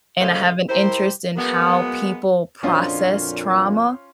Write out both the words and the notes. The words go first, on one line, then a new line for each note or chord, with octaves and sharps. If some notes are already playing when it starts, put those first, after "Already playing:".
and I have an interest in how people process trauma,
A#2 C#3 A3 C5 D#5 F5
E4 G4 A#4 C5
F#3 G#3 A#3 B3
F2 A#2 C#4 D4 F4 F#4 C5 D#5